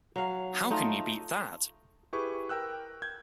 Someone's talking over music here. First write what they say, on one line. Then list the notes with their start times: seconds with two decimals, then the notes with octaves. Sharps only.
How can you beat that?
0.16 F#3 F5
0.70 A3 D#4 F4
2.13 E4 G4 G#4 B4 C#6
2.49 A#4 G5 E6 F#6
3.02 G6 G#6